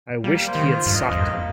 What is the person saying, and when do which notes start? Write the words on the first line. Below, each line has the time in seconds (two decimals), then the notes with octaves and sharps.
I wished he had socked him.
0.24 G3 A#3
0.47 C5
0.55 D#3
0.71 F4
0.86 G2
0.94 D#5
1.11 F2
1.17 G2 A#3